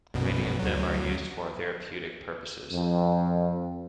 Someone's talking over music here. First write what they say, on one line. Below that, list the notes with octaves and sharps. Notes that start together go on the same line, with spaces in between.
Many of them are used for therapeutic purposes.
A#1 F#2 B2
D2 F#3
F2